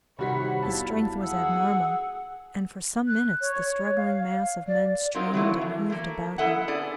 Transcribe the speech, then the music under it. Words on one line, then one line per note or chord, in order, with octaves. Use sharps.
His strength was abnormal, and for some minutes the struggling mass of men strained and heaved about him.
C3 D#3 G3 F#4 C#5 F#5 B5 B6
E2 E4 F5 A5
G#4 F#5 E6
F#6
C#5
F5
D5
F#3 C4 D#4 F4 A#4 D#5
E3 F#3 A3 E4
E3
A3 A#3
E4 A4 D#5 E5 F#5
B3 D4 G#4 D5